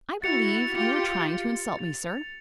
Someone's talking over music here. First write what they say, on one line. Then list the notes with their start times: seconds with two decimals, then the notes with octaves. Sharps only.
"I believe you are trying to insult me, sir."
0.22 E4 F#4 A6 C#7 F7
0.74 F4 G4 A6 C#7 F7
1.26 A6 C#7 F7
1.79 A6 C#7 F7